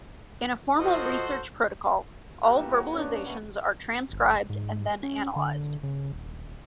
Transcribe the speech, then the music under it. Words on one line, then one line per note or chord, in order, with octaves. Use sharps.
In a formal research protocol, all verbalizations are transcribed and then analyzed.
F3 F#4 A4 C5 D#5
F#4 G4 E5
E3 A3 A#3
F#4 G#4 C#5 D#5
C#4 D4
D#5
A3 B3
G1
G#2
C#4
D3
C#3
D#1